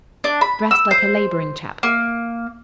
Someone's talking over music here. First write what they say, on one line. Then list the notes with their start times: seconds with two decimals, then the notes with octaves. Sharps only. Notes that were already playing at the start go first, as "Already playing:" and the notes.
Dressed like a labouring chap.
0.24 D4
0.41 B5
0.71 E6
0.91 C5
1.83 A#3